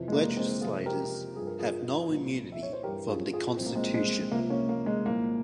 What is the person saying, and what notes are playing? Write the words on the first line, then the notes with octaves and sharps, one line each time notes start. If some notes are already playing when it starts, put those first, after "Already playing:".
Legislators have no immunity from the Constitution.
Already playing: F2 C3 E3
G#3
A#3
G#3 C4
F2 C3 F3 F4 G#4
G4 A#4
G2 F3 G#4
A#4
F4 G#4
C2 A#2 F3
E5
C#5
C5
G2 E3 G4 A#4
F4 G#4
F4 G#4
C2 A#2 F3 C4
A#3
G#3 C4
G#3 C4
C#2 C3 F3 A#3
A#3 C#4
A#3
G#3
C2 A#2 F3 A#3